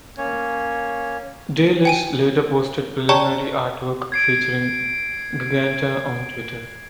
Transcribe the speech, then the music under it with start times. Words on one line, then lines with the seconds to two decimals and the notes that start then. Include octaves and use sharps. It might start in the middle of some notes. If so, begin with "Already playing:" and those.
De Liz later posted preliminary artwork featuring Giganta on Twitter.
0.18 A#3 C#4 C#5
1.85 G5 G#5 D#7
3.09 C#5 D5 G5 A5 A#5 C#6
4.12 G#6 C7 D7